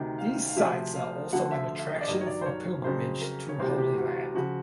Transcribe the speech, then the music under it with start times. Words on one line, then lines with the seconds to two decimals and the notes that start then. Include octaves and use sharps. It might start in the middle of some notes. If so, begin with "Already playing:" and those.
These sites are also an attraction for pilgrimage to Holy Land.
Already playing: D2 C3 D#3
0.18 F5
0.48 F5
0.56 D2 C3 F3 E5
0.94 F5
1.32 D2 D3 F3 F#5
1.51 E5
1.79 E5
1.89 D#5
2.01 D5
2.08 G2 D#3 F#3 D#5
2.21 C#5
2.27 D5
2.41 C5
2.46 C#5
2.65 C#5
2.84 F2 C#3 F#3 C5
3.21 A#4
3.49 C#5
3.59 D2 C3 E3 G3 C5
3.78 G4
3.97 F#4
4.16 F#4
4.35 C#3 F3 F#4